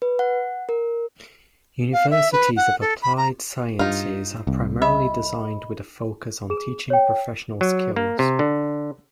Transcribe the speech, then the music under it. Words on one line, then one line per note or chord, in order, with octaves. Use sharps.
Universities of Applied Sciences are primarily designed with a focus on teaching professional skills.
B4
F#5
A#4
F5
E5
B4
F#5
A4
B5
A#5
G2 D#4 F4
C2
D#5 E5 B5
G#4 E7
C#5 G5
F#3
A#3
C3
D3